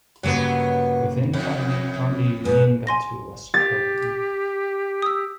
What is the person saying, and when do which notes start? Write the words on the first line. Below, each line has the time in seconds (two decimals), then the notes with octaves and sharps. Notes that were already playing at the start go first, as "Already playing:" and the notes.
Within the family, only Nheengatu was spoken.
0.23 G2 C#3 F#3 A#3 B3
1.33 F2 E4
2.45 G#2 B4
2.87 G#5 C6 A#6
3.54 G4 A6
5.02 D#6 E6